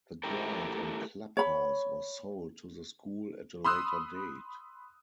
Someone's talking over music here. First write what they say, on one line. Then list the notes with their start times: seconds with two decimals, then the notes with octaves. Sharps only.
The ground and clubhouse was sold to the school at a later date.
0.23 A3 E4 F#4 G4 A#4
1.37 C#5 B5
3.64 B5 C6 D#6 E6 F#6